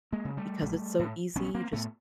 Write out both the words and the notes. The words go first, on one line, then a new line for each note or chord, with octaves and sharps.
because it's so easy; you just
G#3 A#3
C#3
G3 A3
A#1
A2
A#1 B3 C#4
A#3 C4
A2 A3 B3